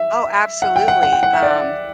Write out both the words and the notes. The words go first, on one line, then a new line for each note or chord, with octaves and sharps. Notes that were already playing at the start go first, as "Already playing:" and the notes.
Oh, absolutely, um
Already playing: E5
F#5
G5
F#5
F#5
G5
F#5
E5
D5